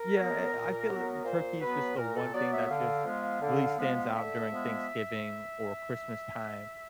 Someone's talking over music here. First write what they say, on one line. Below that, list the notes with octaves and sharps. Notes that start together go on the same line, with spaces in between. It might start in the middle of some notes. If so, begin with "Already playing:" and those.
Yeah, I I feel turkey’s just the one thing that just really stands out during Thanksgiving or Christmas time
Already playing: A#4
F#3 B3
A#2
F#3 B3
A#2 C5
F#3 B3 B4
A#2 A#4
A4
F#3 B3 D5
E5
D3 F5
F3 G#3 B3
D3
F3 G#3 B3
D3 E5
F3 G#3 B3